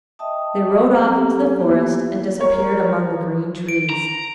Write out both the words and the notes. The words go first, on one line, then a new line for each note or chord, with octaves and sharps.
They rode off into the forest, and disappeared among the green trees.
D#5 E5 G5 A5 D#6
F#3 C4 G4 A4 F#5 A#5
A#3 B3 E4 F4 G4
A#4 C#5
D7
A#5